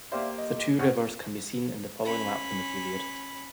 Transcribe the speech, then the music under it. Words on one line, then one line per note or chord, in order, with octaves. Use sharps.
The two rivers can be seen in the following map from the period.
A#3 G4 C5 D5 E5 F5
D#5
A#1 C4 C#4 F#5 C#6
C#4 B5